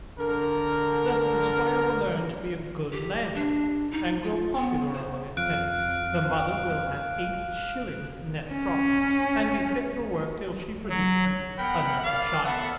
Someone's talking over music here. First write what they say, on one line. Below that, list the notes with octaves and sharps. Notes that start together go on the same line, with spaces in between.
Thus the squire will learn to be a good landlord, and grow popular among his tenants, the mother will have eight shillings neat profit, and be fit for work till she produces another child.
D3 A#4
G4
D4
D#4
F4
B3
C5
F2 F5 F#6 D7
C#4
F#3
B3 A#4 F#5 G5 B5
A#4 D5 F5
B3 A4 E5 F#5